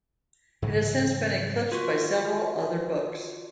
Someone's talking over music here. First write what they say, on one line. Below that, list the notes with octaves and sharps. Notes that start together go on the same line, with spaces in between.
It has since been eclipsed by several other books.
G#2 C#3 E3 F#3
F4 F#4 C#6